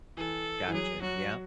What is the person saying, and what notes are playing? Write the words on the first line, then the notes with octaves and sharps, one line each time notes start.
Gotcha. Yep.
E3 A4
E3
F#3 G#4
F#3 F#4